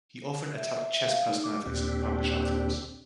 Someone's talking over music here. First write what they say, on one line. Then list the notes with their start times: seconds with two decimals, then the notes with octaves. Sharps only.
He often attacked chess personalities in published articles.
0.56 E5
0.93 E5
1.08 F5
1.28 D#4
1.44 D6
1.66 D#2 A#2 C4 D4 G4